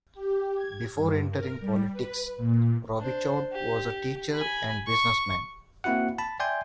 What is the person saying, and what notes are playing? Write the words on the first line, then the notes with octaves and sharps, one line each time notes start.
Before entering politics, Robichaud was a teacher and businessman.
G4
G#6
G2
A#4
G3
B4
A#2
D4 C5
G4
G#5 B5
C#6
A#3 C4 E4 F#4 F#5
A5 B5
D5 E5 G5 G#5 C6 G6